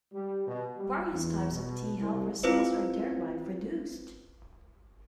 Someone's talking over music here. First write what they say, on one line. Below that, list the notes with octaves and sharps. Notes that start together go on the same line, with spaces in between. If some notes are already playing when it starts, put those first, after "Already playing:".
Various types of T helper cells are thereby produced.
G3
B2
G3
E2
B2
C2
C4 E4 F4 B4 C5